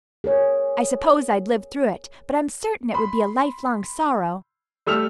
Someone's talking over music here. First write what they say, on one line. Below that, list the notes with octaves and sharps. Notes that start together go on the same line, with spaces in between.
I suppose I'd live through it, but I'm certain it would be a lifelong sorrow.
G#4 A#4 C#5
B5 C6
G3 A3 E6 F6 F7